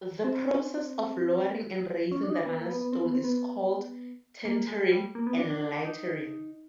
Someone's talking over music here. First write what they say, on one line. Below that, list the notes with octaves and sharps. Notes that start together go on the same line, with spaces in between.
The process of lowering and raising the runner stone is called tentering and lightering.
C4
C#4
D4
D#4
D4
B3
A#3
B3
B3
C4
B3
C4
B3
A#3
G#3
G3
A#3
B3
D4
D4
D4
D4
D#4